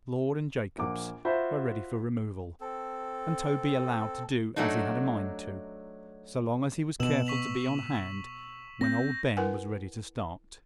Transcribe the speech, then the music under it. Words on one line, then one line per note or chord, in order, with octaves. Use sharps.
Lord and Jacobs were ready for removal, and Toby allowed to do as he had a mind to, so long as he was careful to be on hand when Old Ben was ready to start.
A#1 A#3 F#5 D6
F4 F#4 C5 E5 B5
C4 A4
F#3 A3 D4 D#4
B2 E6 E7 F#7
C#6 B6 F7
C4 G6 A#6
E4 A#4 B4 F#5 G#5